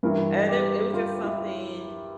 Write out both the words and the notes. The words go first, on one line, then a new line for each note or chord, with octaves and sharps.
And it it was just something
G2 E3 A#4
G4
F4
E4